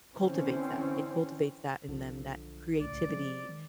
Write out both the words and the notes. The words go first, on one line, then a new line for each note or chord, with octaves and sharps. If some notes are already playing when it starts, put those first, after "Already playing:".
cultivates that. It cultivates that in them, that creativity
D3 E3 C4 C#4
B1 D3 F3
C#2 A2 D5
C3 F3 G#3 C4
D#3